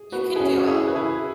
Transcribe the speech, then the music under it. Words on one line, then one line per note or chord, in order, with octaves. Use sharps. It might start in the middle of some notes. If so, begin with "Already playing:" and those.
You can do it.
Already playing: G#4
F#4 B4
G#4
C#4 F#4
E4 G#4
B4
E4 G#4